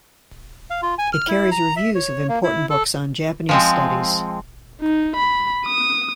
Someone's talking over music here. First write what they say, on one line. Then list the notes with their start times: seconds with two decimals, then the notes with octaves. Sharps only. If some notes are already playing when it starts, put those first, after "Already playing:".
It carries reviews of important books on Japanese studies.
0.70 F5
0.82 F4
0.98 G#5
1.13 F6
1.28 E4
1.52 A#5
1.76 E5
1.95 C#5
2.29 A#3
2.44 E4
2.70 A4
3.49 F3 G#3 C4
4.81 D#4
5.16 B5
5.66 D#6